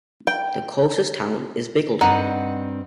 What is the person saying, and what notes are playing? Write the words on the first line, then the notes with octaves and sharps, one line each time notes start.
The closest town is Bickleton.
G5
G2 C4 D#4 F#5